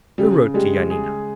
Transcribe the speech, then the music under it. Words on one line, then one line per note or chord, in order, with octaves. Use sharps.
"Who wrote to Yanina?"
C#3 G3
G3 G#3
G#4